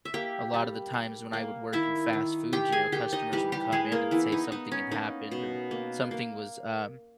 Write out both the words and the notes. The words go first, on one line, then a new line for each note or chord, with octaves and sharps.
a lot of the times when I would work in fast food, you know, customers would come in and say something had happened or something was, um,
E5
A#3 G4 G5
G3
G3
A#3
D#3 E4 E5
D#3
D#3 G4 G5
G#4 G#5
D#3 G4 G5
D#4 D#5
E3 G3 G4
G3 G4
E3 G#3 G#4
A#3 A#4
E3 B3 E4
D#4
B3 D#4
C#4
A#3 D#4
B2
A#3
A#3